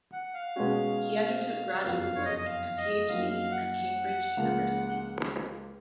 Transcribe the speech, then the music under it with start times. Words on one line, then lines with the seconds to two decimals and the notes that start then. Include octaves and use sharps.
He undertook graduate work and Ph.D. at Cambridge University.
0.13 F#5
0.34 F5
0.56 B2 G#3 C#4 F#4
1.83 F#1 F2 F3 B3 F#4 F5
2.03 F5
2.15 C#5
2.25 D#5
2.38 D#5
2.46 F5
2.77 D#5
3.09 F#2 F3 A#3 D#4 F#4 F5
3.30 F5
3.52 F#5
4.37 C#2 C#3 F3 A#3
4.88 F#5